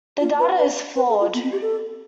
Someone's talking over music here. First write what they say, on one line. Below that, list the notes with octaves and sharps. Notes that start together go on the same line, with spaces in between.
The data is flawed.
F4
B4
B4
B4
A4
F4
B3
C4
G4
A4